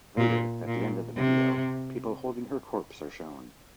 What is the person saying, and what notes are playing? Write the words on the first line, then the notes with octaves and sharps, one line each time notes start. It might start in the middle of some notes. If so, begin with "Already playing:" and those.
Later, at the end of the video, people holding her corpse are shown.
A#2
A#2
C3